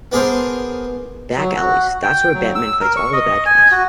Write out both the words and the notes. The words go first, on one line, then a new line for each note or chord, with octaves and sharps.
Back alleys, that's where Batman fights all the bad guys.
B3 D4 G#4 A#4 C5
F#3
F#4
G5
F#3
E6
A#4
C#6
D#5
G#5
F#4